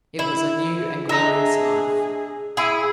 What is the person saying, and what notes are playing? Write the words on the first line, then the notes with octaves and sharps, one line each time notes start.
It was a new and glorious life.
E4
D4 G#4 D#5 E5 A#5
E4 G#4